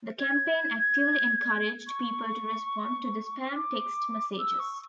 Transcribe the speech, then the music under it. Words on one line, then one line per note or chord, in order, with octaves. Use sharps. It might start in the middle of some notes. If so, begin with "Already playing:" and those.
The campaign actively encouraged people to respond to the spam text messages.
G#6
C#6
D6
E6
C#6